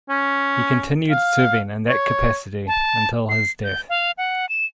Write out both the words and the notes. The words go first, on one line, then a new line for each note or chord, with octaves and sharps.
He continued serving in that capacity until his death.
C#4
F5
C#5
A5
C7
G6
F5
F#5
E7